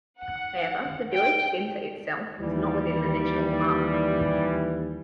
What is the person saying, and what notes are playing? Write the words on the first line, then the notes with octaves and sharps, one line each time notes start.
However, the village centre itself is not within the national park.
F#5
G5
D#2 E3 G3